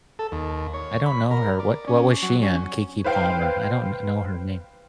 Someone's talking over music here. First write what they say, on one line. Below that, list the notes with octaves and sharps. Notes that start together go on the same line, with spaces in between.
I don't know her. What what was she in? Keke Palmer. I don't kn know her name.
A4
D#2
C#5
B5
A#4
D5
C#4
F#3
C#4
B4 C5 F5 G5